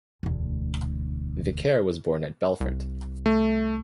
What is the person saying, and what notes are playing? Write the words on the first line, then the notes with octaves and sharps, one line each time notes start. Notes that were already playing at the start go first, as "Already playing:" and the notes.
Vicaire was born at Belfort.
E1 D2
C2
A3